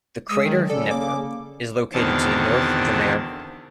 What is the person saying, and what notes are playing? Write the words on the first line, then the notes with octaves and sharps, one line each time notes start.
The crater Neper is located to the north of the mare.
G#3 D#6 E6
D#3 F#3
C#3 A4 D5
A#3 D6
E2 B2 D3 D#3 C4 A5